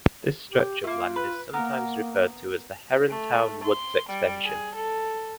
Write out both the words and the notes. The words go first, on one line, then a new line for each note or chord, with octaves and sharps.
This stretch of land is sometimes referred to as the Herrontown Woods extension.
G4
A3 A#3 F4
B4
A#3 B3 A#4 F6
A3
C6
G3
G#4
A4